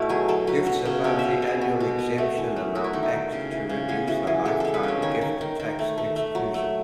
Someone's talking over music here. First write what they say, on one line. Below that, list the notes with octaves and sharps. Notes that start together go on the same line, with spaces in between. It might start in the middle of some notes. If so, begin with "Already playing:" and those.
Gifts above the annual exemption amount act to reduce the lifetime gift tax exclusion.
Already playing: B2 A3 E4 F#4
F#3 G#4
F#3 A4
F#3 B4
F#3
C#3
B2 C#5
B2 E5
B3
G#4
B3 F#4
B2
B3
A3
E3
A3
A3 F#4
E4
D#3 D#4
E4
D#3
C#3
E3
C#3
B3 G#4
E3 F#4
E3 G#4
G#3 A4
G#3 A4
B4
C#3 C#5
D#3 C#5
D#3
D#3
D#3
A3
A3
A3
F#3
A3